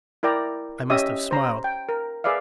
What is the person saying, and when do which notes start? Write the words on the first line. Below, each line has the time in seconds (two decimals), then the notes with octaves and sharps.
I must have smiled.
0.23 E4 A#4 D5 G5 A#5
0.90 C#4 G4 D#5 E5 D#6
1.31 C5 A#5 C6
1.64 G5
1.89 A#4
2.24 G#4 B4 D5 E5 F5